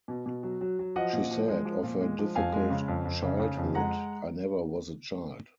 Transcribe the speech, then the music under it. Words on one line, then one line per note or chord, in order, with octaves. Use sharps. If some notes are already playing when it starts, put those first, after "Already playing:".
She said of her difficult childhood, I never was a child.
B2
B2
F#3
F#3
F#3
F3 D#5 F#5
A#2
F3
G#3
F3
A#2
G#3
F3
F2 F5 G#5
G#3
C#3
F2
F2
C#3
C#3
F2
G#3 F#5 A#5